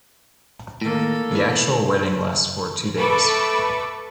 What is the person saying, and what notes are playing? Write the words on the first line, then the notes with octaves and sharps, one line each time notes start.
The actual wedding lasts for two days.
D#2 A2 A#3 A4
E2 E3
A3 A4 B4 B5 C#6 D6